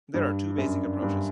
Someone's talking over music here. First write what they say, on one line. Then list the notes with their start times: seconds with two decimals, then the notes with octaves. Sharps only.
There are two basic approaches.
0.14 G2
0.58 F#2
1.02 G2